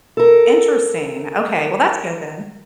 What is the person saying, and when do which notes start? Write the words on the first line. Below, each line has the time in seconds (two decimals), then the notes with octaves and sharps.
Interesting. Okay. Well, that's good then.
0.17 A4 A#4